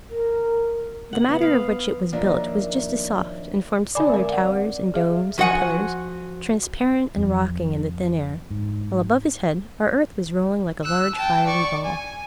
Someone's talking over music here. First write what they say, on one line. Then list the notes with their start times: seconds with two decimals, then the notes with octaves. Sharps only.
The matter of which it was built was just as soft, and formed similar towers, and domes, and pillars, transparent and rocking in the thin air; while above his head our earth was rolling like a large fiery ball.
0.10 A#4
1.13 F#5
1.29 B3
1.41 F5
2.13 D#2 F3 A#3 D4 E5
3.95 D3 D5 G#5 D6
4.10 G#3 C4 A#4
4.29 F5 F#5
4.94 G#4 E5 F5
5.38 F3 F#4 D5 F#5 G#5
7.17 F2
8.50 G#2
10.84 E6 F#6
11.15 G5 A5
11.46 D5 C#6
11.85 G#5